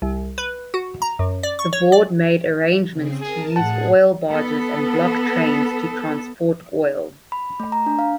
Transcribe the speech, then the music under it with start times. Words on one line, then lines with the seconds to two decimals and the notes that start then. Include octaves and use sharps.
The board made arrangements to use oil barges and ‘block’ trains to transport oil.
0.02 C2
0.38 B4
0.74 F#4
1.02 A#5
1.19 F#2
1.43 D5
1.59 C#6
1.73 C#5
1.92 D5
2.91 C#3 C4 G#4
3.21 G#4 A#4 A5
3.56 A2 G#4 F#5 A5
4.30 B3 A4
7.32 B5
7.60 A3
7.72 A#5
7.86 D4
7.99 F5